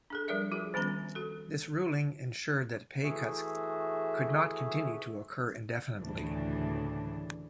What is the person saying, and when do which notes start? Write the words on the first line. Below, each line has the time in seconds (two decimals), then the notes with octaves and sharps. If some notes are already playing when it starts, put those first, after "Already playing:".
This ruling ensured that pay cuts could not continue to occur indefinitely.
0.10 D4 G#4 A4
0.28 F3 G3 A#4 D5 E5
0.52 F4 F#4 G#4
0.74 D#3 G3 B3 C#4 A#5
1.15 F#4 A4
3.03 E3 A3 F#4 G#4 E5
5.98 D2 A2 C#3 E3 A3 D4